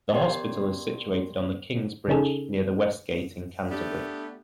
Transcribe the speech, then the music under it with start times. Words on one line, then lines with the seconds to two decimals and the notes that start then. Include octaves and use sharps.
The hospital is situated on the King's-bridge, near the Westgate, in Canterbury.
0.14 B3 G4 A#4 C#5 D5 C6
2.08 C#3 C#4 D#4 G#4 A4
3.70 A3 B3 D4 G4